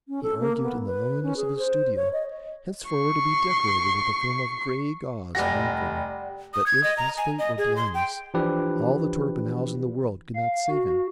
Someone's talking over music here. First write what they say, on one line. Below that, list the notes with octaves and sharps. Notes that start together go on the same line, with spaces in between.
He argued, in the loneliness of his studio, henceforward to be decorated with a film of gray gauze in one corner, that, if his fate were blindness, all the Torpenhows in the world could not save him.
C#4
A4
A#3
B3
B4
C#4
G#4
C5
C#5
D#5
C#6 C7
F1 G3 G4 F#5 A#6
D#6
G#6
D#5
A#5
G#5
D#5
G#4
C6
G5
E3 F3 D4 G4 B4
F5
F#4